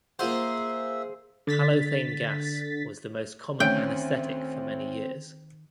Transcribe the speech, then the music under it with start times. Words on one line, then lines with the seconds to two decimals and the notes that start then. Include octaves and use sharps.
Halothane gas was the most common anaesthetic for many years.
0.19 A#3 F4 G#4 C5 E5 F#5
1.47 D3 A6 B6
3.60 D2 D#3 C4 C#4 G5